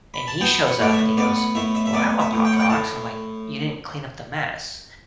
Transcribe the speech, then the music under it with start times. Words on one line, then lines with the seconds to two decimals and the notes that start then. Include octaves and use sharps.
And he shows up and he goes, "Well, I want Pop Rocks." And I'm like, "You didn't clean up the mess."
0.14 B5
0.28 A5
0.41 B3 G5
0.67 F#5
0.79 A2 D5
0.92 E5
1.18 B3 D5
1.36 F#5
1.55 A2 E5
1.75 E5
1.86 E5
1.93 B3 D5
2.19 E5
2.33 A2
2.45 G5
2.52 F#5
2.60 G5
2.70 A2 A5